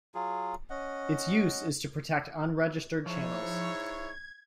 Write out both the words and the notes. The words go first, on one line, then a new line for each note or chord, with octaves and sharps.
Its use is to protect unregistered channels.
F#3 F4 G#4
C#4 D#5 F#5
G#2 F3 E4 C#5
G#6